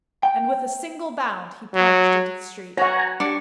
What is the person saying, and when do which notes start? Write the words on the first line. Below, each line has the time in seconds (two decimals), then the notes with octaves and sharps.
And with a single bound he plunged into the street.
0.23 G5
1.74 F#3
2.77 F#3 F#4 C#5 F#5 G#5 A#5
3.20 D4 G4 C#6